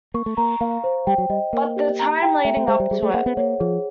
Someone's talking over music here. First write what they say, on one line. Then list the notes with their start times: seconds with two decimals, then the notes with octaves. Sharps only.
But the time leading up to it.
0.14 A#3 C#6
0.26 A3
0.37 A#3 A#5
0.61 A#3 F5
0.84 C5
1.07 G3 G5
1.18 F#3
1.30 G3 D#5
1.53 A#3 A#4
1.77 G4
1.99 A#5
2.22 G5
2.44 A3 E5
2.57 A3
2.68 G#3 C5
2.80 G3
2.91 G3 G#4
3.03 A3
3.14 A#3 F#5
3.26 B3
3.37 A#3 C#5
3.60 F3 G#4